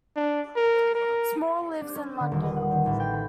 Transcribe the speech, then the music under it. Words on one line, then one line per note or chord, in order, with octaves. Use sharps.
Small lives in London.
D4
A#4
A#4
D4
C#4
D3
D#1
B4
F#5
D#3
A1
G5
B5